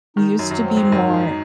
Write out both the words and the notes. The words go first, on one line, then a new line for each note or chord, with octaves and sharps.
We used to be more
D#3 D#4
F#2 F#3
F#2
C4
G#2
D#3
F#2
D#4